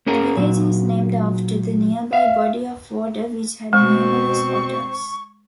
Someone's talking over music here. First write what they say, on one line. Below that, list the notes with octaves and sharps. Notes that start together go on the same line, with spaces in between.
The village is named after the nearby body of water which had numerous otters.
A#3 C#4 G#4 A#4
A#2 F#3
E5 F5
B2 G#3 C4 C#6